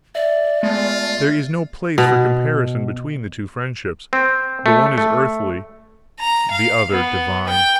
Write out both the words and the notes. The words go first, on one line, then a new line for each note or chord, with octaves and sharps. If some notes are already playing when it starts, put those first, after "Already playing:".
There is no place for comparison between the two friendships; the one is earthly, the other divine.
D5 E5
G#3 A3 B3 F4
B2
C4
A3
A3
A#5
F5
B3
G5